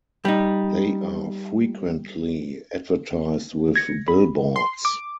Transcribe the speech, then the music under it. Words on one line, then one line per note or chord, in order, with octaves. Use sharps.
They are frequently advertised with billboards.
G3 D#4
G#6 A#6 C#7
B5
C6
D6